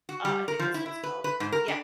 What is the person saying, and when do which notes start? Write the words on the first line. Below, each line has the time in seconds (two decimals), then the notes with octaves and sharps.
Uh, I think that's what it's called. Yeah.
0.09 F#4
0.25 G3
0.48 A#4
0.59 F3
0.74 E4
0.86 E4
1.03 B4
1.24 B4
1.40 G#2
1.52 A#4
1.68 D4